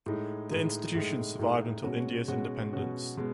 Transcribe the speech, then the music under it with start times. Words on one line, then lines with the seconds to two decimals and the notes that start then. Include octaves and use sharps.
The institutions survived until India's Independence.
0.06 A2 G#3 D#4
0.51 A2 G#3 D#4
0.95 A2 G#3 D#4
1.39 A2 G#3 D#4
1.83 B2 G#3 C#4 F#4
2.28 B2 G#3 C#4 F#4
2.73 B2 G#3 C#4 F#4
3.17 B2 G#3